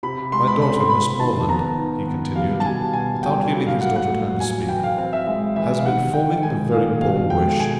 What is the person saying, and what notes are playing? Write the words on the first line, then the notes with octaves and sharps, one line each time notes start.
My daughter, Miss Morland," he continued, without leaving his daughter time to speak, "has been forming a very bold wish.
C3 B5
B5
G#3 C6
B5
C4 B5
C6
C4 B5
D#3 A5
B3 A#5
D#3
B3
G3 F5
A5
B2 G#5
B2 G#5
G3 G5
F#3
F5
A#3 F#5
F#5
A2
F#3 G#5
E3 G5
F5
C4 F5
E5
G#3 E5
E3 E5
F5
D#3 F#5
D#3 G5
G#3 G#5
D#3 F5
B2 F5
G#3 G5
B2 G#5